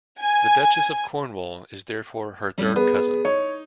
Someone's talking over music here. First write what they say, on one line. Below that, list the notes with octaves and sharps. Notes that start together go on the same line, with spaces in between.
The Duchess of Cornwall is therefore her third cousin.
G#5
F2 G3 C#4
B3 G#4
D#4 C#5